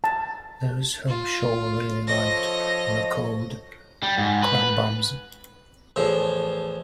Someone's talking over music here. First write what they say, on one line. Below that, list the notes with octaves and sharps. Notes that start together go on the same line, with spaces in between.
Those whom Shor really liked were called "crum-bums".
A5
F4
F3 A4 C#5 D#5 A#6
G3
G#2
B4
E2 A2 F3